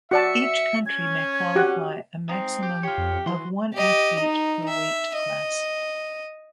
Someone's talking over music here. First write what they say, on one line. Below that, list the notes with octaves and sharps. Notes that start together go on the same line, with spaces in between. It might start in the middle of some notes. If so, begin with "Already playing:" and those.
Each country may qualify a maximum of one athlete per weight class.
F#4 D5 E5 A5 C#7
C#4 G#6
F#4 G4 F#5
G#3 C4 D#4
G4
F4 G4 C#5
F2
E3 F#4 C6
G4 D#5
D#4
E5
D#5